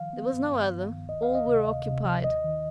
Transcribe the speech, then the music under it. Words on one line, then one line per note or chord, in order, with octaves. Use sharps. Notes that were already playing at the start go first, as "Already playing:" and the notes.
There was no other, all were occupied.
Already playing: D#3 F3 F5
B3
G2
G2
G2
D#3
D2 D#5
F5
D2
D#5
C3
D2
C3
F3
D#2 D#5
D#3